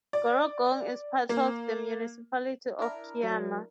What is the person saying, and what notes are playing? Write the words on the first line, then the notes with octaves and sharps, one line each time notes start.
Gerringong is part of the Municipality of Kiama.
D5
A#3
D4 E4 A#4
F#3